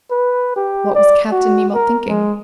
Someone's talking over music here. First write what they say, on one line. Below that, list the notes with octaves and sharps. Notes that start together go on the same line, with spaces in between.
What was Captain Nemo thinking?
B4
G4
D5
F#4
A#4
G#3